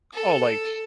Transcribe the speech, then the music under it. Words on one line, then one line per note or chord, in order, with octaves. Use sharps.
"Oh, like,
A4